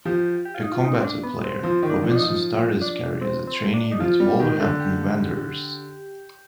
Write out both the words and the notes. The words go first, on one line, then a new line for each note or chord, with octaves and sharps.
A combative player, Robinson started his career as a trainee with Wolverhampton Wanderers.
F3 G4
G4
F4
D#4
F4
D#4
C4
D4
B3
C4
F3 C4
D#3
D4
F3
D4
D#4
F3
D4
C4
C4
D4
D#4
F3 F4
G3
D#3 G4
D3
G4